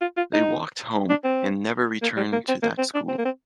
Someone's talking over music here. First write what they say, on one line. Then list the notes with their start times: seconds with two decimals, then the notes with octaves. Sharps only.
They walked home, and never returned to that school.
0.01 F4
0.17 F4
0.33 D#4
1.10 D4
1.24 C4
2.02 A#3
2.16 G3
2.32 A#3
2.48 C4
2.62 A#3
2.78 C4
2.94 D4
3.09 C4
3.18 A#3
3.25 C4